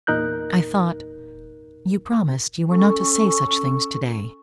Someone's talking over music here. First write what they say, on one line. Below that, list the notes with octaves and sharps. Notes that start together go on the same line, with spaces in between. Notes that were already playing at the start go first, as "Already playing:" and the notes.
"I thought--you promised--you were not to say such things today."
E2 A#2 D#4 A#4 F#6 G6
C#4 A4 C#6